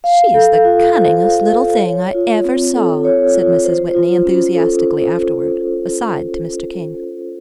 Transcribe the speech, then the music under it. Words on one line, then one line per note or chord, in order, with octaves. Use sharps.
"She's the cunningest little thing I ever saw," said Mrs. Whitney, enthusiastically, afterward, aside to Mr. King.
F5
A4
F4
C5
F5
A4
C#5
F4
C4
A4
C#5
F4
C5
F4
C#4
A4
C5